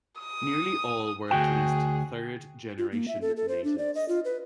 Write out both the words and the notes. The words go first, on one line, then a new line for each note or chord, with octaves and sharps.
Nearly all were at least third-generation natives.
D#6
D2 F#4 G#4 G5
F4
A#3
E5
A4
A4
C5
D4
D5
D#5
F4
B4